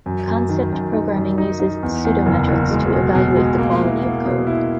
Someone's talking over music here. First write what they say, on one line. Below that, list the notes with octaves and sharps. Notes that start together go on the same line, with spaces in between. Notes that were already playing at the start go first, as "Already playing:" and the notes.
Concept programming uses "pseudo-metrics" to evaluate the quality of code.
F#2
F#2
D#3
F#2
D#4
F#2
D#4
D#4
E2
E2
F#1
F#1
G#3
B2
B2
G#3
A#3
E4
A#3
B2
E4